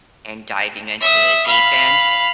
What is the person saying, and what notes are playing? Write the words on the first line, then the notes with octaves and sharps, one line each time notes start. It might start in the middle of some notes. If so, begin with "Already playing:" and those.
and diving into the deep end.
E5 D#6
F5 B5